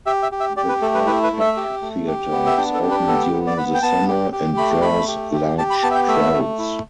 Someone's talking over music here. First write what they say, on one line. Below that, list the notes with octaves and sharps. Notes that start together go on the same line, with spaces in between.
The Fort Peck Theater is open during the summer and draws large crowds.
G4 E5
E5
G4
E5
G4 D5
B4
A3 A4
B4
E4 B4
B4
A3
E5
G4
A3
G4
B3
E5
D4 G5
A4
G4
B4
B3 A4
B3
D5
B3 B4
G5
B3 A5
G4
G4
A3 B5
A3 B5
G4
G4
G4 A5
B5
B3 A5
E5
G5
A3 E5
A3
E4